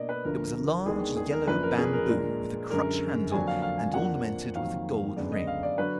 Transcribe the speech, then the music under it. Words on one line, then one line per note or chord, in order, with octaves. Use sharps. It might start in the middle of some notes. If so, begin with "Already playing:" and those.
It was a large yellow bamboo with a crutch handle and ornamented with a gold ring.
Already playing: B2 A#3 D4 D5 D#5
B4
D2 D3 F3 A#4
D#2 D#3 G#3 B3 D4 G#4
G#4
A#4
F#2 F3 A#3 D4 B4
A#4
G#4
A#4
A#2 G#3 D4
F#2 D3 G#3 A#4
F2 D3 F#3 A#3 D4 G#5
F5
F5
G#5
F2 F3 A#3 D4 F#5
F2 D#3 F#3 A#3 F5
F#2 D3 G#3 B3 D4 D5
D#5
F5
D5
D3 F#3 D4 B4